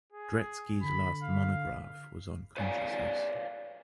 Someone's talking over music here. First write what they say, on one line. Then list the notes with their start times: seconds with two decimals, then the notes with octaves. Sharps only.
Dretske's last monograph was on consciousness.
0.12 G#4
0.82 D3 B5
1.23 F5
2.57 B4 C#5 D5 F5 G#5